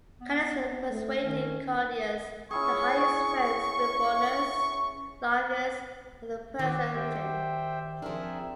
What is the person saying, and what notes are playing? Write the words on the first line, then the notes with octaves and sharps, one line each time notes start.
Callistus persuaded Claudius to hire his friend Scribonius Largus as a personal physician.
B3
A3
D#3 C#4
C#4 E4 G#4 C#6
D#3 F#4 D5
G4 C5 E5 G5
F3 C4 D4 G#4 A#4 E5